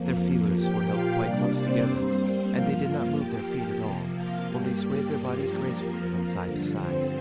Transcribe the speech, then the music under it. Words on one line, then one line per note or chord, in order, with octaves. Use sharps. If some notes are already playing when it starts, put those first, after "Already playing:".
Their feelers were held quite close together, and they did not move their feet at all, only swayed their bodies gracefully from side to side.
Already playing: F2 F3 A#3
A#2 F3 A#3 G4 G5
F4 F5
C3 G3 A#3 D4 D5
C4 C5
G2 G3 A#3
G2 F3 A#3 F4 F5
F2 F3 A#3 G4 G5
C3 F3 A#3
F4 F5
G2 G3 A#3 G4 G5
G3 G4
G2 F3 A#3
A#3 A#4
F2 F3 A#3
G2 D3 F3
C4 C5